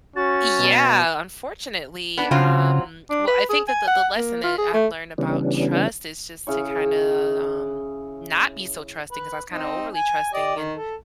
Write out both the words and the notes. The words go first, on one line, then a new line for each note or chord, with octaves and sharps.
Yeah, unfortunately, um, well, I think that the the lesson that I've learned about trust is just to kinda, um, not be so trusting 'cause I was kinda overly trusting and
C#4 F#4 A6
B2
B3 D4
C#3 F#3 C4 F4
D4
B4
G#4
G#5
F#5
A#3
F4
G#4
A3
C#3 E3 G3 B3 C#4 D4
C#3 E4 C#5
B4
C4 D#4
G#5
G4 D5 D#5
D#3
A4